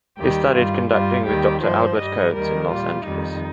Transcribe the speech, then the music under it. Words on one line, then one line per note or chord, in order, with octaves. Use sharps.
He studied conducting with Doctor Albert Coates in Los Angeles.
D#2 D#3 G3 G4
G2 G3 F4
G2 G3 F4
D#2 D#3 G3 G4
G2 F3 C5
G2 G3 D#5
D#2 D#3 G3 A#4
A#2 G3 F4
F2 D#3 G3 D#4